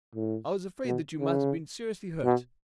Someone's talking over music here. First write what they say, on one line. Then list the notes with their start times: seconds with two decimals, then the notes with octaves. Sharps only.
I was afraid that you might have been seriously hurt.
0.15 A2
0.85 B2
1.20 C#3
2.24 B2